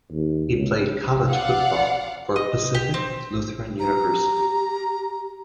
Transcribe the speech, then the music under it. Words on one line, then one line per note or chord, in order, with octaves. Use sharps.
He played college football for Pacific Lutheran University.
D#2
C#2
D5 F5 F#5
D#5
G4
C4
G4 A#5